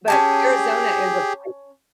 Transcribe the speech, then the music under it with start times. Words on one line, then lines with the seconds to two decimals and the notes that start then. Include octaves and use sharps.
but Arizona is a pla
0.08 C#4 G4 G#4 G#5 A5